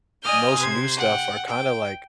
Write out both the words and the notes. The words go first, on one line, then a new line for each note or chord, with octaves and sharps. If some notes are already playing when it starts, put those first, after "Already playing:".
most new stuff are kinda, like
D5 D#5 G#5 D#6 F6 G6
C3 C5 G#6
F#5 G5
G5